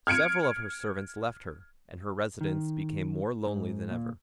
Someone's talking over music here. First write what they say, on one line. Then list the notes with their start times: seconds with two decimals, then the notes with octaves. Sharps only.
Several of her servants left her, and her residence became more lonely than ever.
0.07 F6 G#6 C#7 D7
2.41 D#3
3.47 G#2
3.91 A#2